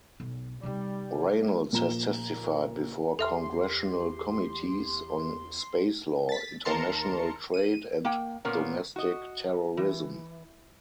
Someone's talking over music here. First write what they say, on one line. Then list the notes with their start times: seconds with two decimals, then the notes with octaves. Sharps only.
Reynolds has testified before Congressional committees on space law, international trade, and domestic terrorism.
0.20 B1
0.63 C3 G3 D#4
1.73 A#2 F3 A#5 E7 G7
3.19 E2 G4 A4 E5 C6 F6
6.29 A6 B6
6.65 D#2 A#4 A5 A#5 C6 C#7
7.54 D#7
8.05 A#3 G5
8.45 A#2 A#3 B3 C#4
8.96 F#4 D#5
9.77 E3